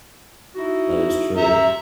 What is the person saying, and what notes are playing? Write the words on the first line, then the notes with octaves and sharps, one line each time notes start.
That is true.
D#4 E4 F#4
E5 A#5